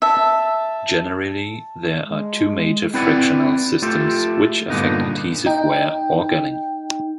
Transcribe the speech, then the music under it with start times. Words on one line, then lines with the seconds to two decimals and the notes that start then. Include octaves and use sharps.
Generally there are two major frictional systems which affect adhesive wear or galling.
0.02 E5 A5
2.02 G#3
2.94 C4 E4 B4 D5 F#5
3.82 A3 F4 G4 A4
4.70 G2 A#2 D3 B3 D#4
5.46 D#4 G5